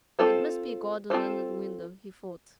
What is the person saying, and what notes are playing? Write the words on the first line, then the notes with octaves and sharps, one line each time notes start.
"It must be a garden under the window," he thought.
C4 F4 A4 C5
C4 F4 A4 C5